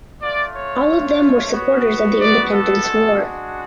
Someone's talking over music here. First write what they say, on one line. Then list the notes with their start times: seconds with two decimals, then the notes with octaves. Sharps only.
All of them were supporters of the Independence War.
0.21 A3 F4 D5
0.54 C#5
1.52 B3 F#4
2.18 D5
2.51 A4
2.83 G#3 D4 F#4